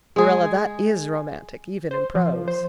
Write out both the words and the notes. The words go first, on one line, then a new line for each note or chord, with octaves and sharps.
Marilla, that IS romantic, even in prose.
G#3 G#4
C5
F3
C5